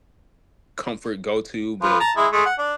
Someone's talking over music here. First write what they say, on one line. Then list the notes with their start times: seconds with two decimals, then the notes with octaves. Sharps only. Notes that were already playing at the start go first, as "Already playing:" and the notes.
comfort go to, but
1.83 F3 B4
2.00 A5 A#5
2.17 G#3 E4
2.32 G#3 A3
2.45 F#5
2.58 D4